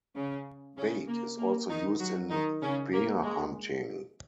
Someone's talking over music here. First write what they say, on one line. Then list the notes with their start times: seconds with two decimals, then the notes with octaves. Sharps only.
Bait is also used in bear hunting.
0.15 C#3 C#4
0.77 C#3 C#4
1.07 A#3
1.38 A#3
1.69 D#3 D#4
2.00 F#3 F#4
2.30 D#3 D#4
2.62 C#3 C#4
2.93 A#3
3.23 G#3